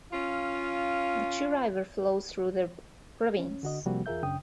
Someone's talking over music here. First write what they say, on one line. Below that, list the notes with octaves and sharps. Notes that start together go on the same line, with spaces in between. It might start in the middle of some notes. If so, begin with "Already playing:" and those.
The Chi River flows through the province.
C#4 F4
C#4
D3 F#4 D#5
C3 F3 G3 A#3 C4 F#4
E2 F4 G#4 A#4 E5 G6
F#2 C#3 D4 G5 D#6